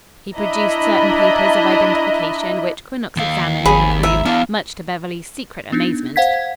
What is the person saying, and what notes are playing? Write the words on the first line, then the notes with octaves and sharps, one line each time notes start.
He produced certain papers of identification which Quinnox examined and approved, much to Beverly's secret amazement.
D4 E4 D#5 E5 A#5 B5
D#2 F5
G#1 G#4 B5
E5 A#5
B3 D4 E4 F5
B3 D4 D#4
C5 F5 F#5 G#6 B6